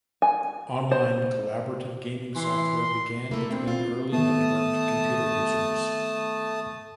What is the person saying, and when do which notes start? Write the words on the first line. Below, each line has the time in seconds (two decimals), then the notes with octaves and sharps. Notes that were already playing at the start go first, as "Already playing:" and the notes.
Online collaborative gaming software began between early networked computer users.
0.22 G#5
0.91 C5
2.36 E3 C6
3.31 A3 A#3 E4
3.51 C4 D4
3.68 F4
4.12 D#3 A3 B3 A5 D#6